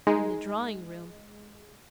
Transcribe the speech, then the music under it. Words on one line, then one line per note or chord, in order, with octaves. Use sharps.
And the drawing-room!
G#3 D#4